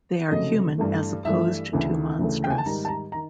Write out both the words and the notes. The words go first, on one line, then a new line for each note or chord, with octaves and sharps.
They are human as opposed to monstrous.
F1 F2 C#3 F#3 A3 D#5
G2 E3 A3
G2 E3 A3 E5
D2 C#3 E3 A3
D2 C#3 E3 A3
G5
G#5
A5
G#2 D#3 G3 A#5
A5
A#5
D#3 A#5